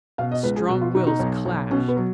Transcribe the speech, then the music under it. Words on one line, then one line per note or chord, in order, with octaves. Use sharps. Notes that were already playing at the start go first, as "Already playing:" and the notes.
The strong wills clashed.
B2 F5
D#5
C#2 B4
G#4
B2 F#4
F4
B2 D#4
D#4
B1
B1
B2 C#4
B3
F#3